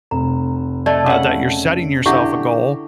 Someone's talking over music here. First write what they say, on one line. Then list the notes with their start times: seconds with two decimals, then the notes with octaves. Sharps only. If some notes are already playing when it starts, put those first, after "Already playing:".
uh, that you're setting yourself a goal
0.11 F1 A#5
0.86 A3 D5 D#5 A5
1.06 C#3 F#5
2.06 D3 E4 G4 E5 C#6